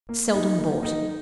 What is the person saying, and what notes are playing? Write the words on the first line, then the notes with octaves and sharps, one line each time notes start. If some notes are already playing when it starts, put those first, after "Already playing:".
Seldom bought.
A#3
D#4
A#3
D#4